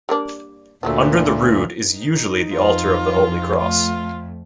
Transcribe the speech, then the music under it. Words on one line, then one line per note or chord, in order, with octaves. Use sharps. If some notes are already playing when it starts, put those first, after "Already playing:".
Under the rood is usually the altar of the Holy Cross.
G3 A#3 D4
D2 A#2 F3 F#3 A3
D#4
F2 F4
A3 F4